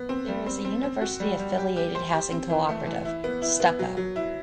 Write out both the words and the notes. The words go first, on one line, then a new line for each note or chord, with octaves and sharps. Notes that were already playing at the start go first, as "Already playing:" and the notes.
There is a university-affiliated housing cooperative, Stucco.
Already playing: B3
C4
G3
C4
C4
C4
F#4
G3
G3
G4
G4
C5
G4
C4
E3
A3
E3
E4
B3
E4
B3
F#3
F#3
E4